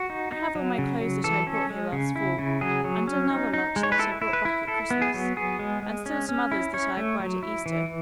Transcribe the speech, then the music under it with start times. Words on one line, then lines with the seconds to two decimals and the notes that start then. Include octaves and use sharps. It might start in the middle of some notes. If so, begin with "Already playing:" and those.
I have all my clothes that I brought here last fall, and another lot that I brought back at Christmas, and still some others that I acquired at Easter.
Already playing: F#4
0.10 D#4
0.32 D#4
0.55 F#3
0.78 C#3
1.01 F#3
1.24 E3 A4
1.47 C#4
1.70 G#3
1.92 C#3
2.16 E4
2.39 C#3
2.61 F#3 G#4
2.85 F#3
3.07 C#4
3.30 D#4
3.53 D#4
3.76 G#3
3.83 C#5
3.92 B4
3.99 E4 A4
4.22 E4
4.33 B4
4.45 E4
4.67 E4 A4
4.91 B3
5.02 G#4
5.14 F#3
5.36 B3 G#4
5.59 G#3
5.83 G#3
6.06 C#4
6.29 C#4
6.51 E4
6.74 C#4 C#5
6.97 A3
7.20 F#3
7.43 E4
7.66 E3